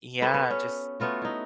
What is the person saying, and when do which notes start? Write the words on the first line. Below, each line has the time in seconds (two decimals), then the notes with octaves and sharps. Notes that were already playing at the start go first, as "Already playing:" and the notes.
Yeah, just
0.21 F#4 A4 B4 C5
0.34 B3
0.51 C#4
1.00 A3 B3 F4 F#4
1.22 D#4 E4